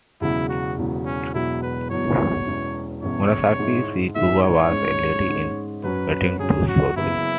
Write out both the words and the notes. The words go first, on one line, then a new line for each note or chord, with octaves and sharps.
Murasaki Shikibu was a lady in waiting to Shoshi.
E1 E2 C#3 F#3 E4
F#4
E1 E2 C#3 F#3
C#4
E1 E2 B2 F#3 E4
B4
E1 E2 B2 F#3 C#5
E1 E2 E3 C#4 E4
E1 E2 E3 C#4 E4 C#5
G#2 G#3 E4
G#2 G#3 E4 E5
C#5
G#2 G#3 C#4
G#2 G#3 C#4
F#2 F#3 C#4 B4
F#2 F#3 C#4 G#4
F#4
F#1 F#2 C#3 E3 B3 E4